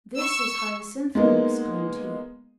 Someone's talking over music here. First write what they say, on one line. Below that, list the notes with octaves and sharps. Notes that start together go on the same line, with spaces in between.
"This is Hyacinthia!" exclaimed he.
C#6 E6
G#3 A#3 B3 D#4